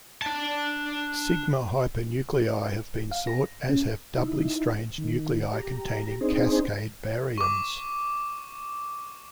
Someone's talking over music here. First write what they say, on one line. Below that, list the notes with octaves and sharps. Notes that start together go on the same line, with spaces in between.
Sigma hypernuclei have been sought, as have doubly-strange nuclei containing Cascade baryons.
D4 A5
F5
A#6
C#4
D#4 E4
D#3
G4 A#5
C4 D4 D#4 G#4 C5
C#6 D6